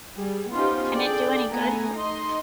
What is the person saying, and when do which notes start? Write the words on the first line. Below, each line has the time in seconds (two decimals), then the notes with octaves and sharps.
Can it do any good?
0.15 G3 G#4
0.52 B3 C#4 D#4 F4 G4 C5
0.93 D4 G#4 A4 D5 G5
1.53 A3 B3 G#5 A#5
1.95 D#4 D#5 C6